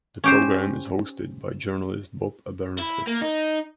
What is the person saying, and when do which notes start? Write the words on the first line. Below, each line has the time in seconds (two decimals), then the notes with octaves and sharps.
The program is hosted by journalist Bob Abernethy.
0.24 C#4 G4 C5
2.79 E4
3.07 A#3
3.21 D#4